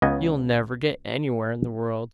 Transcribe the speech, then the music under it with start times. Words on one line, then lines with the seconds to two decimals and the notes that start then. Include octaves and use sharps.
You'll never get anywhere in the world.
0.02 C#2 C#3 B3 D#5 G#5